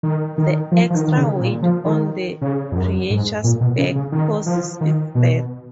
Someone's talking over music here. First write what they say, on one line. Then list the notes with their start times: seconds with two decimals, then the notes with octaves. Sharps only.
The extra weight on the creature's back causes its death.
0.03 D#3
0.38 D#3
0.72 F3
0.90 F3
0.95 D#3
1.08 D#3
1.17 C#3
1.40 A#2
1.62 F3
1.85 D#3
2.42 C#3
2.72 F2
2.76 F#2
3.10 G#2
3.44 A#2
3.61 B2
3.78 C#3
3.96 C#3
4.12 D#3
4.46 F3
4.81 D#3
5.15 B2